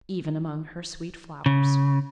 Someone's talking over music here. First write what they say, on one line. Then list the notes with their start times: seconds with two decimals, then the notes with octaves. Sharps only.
Even among her sweet flowers.
1.46 C#3